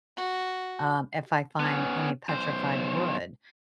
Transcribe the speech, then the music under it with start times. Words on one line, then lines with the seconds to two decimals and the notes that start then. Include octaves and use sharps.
um, if I find any petrified wood.
0.16 F#4
1.60 B3 C#4
2.29 B1 C5